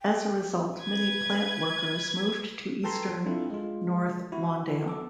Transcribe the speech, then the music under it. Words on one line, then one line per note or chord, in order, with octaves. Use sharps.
As a result, many plant workers moved to eastern North Lawndale.
G5
B4 G#6
A4 B4 G5 A5 A#5 C6
F3 G3
C4 D4 E4 F4 A4
G#3 F4
E4 F#4
B3 A4 D6